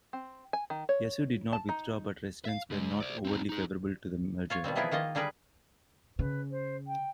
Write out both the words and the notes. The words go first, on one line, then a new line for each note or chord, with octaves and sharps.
Yasu did not withdraw but residents were not overly favorable to the merger.
C4
G#5
D#3
C#5
A5
D#4
E5 F5
C#3 G#3
C5 D5
C4 D#4
D#4 G#4
F4 C#5 F5
B2 D#3 G3 C4
E3 F3 B3 E4 G#4 A#4
D#3 A#3 F4 D#5
D3 G3 G#4 A#4 B4
C#3 B4
C5
G5